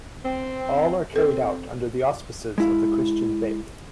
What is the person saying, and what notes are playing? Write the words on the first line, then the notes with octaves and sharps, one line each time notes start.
All are carried out under the auspices of the Christian faith.
C4
C4 A4
G#3 E4 F5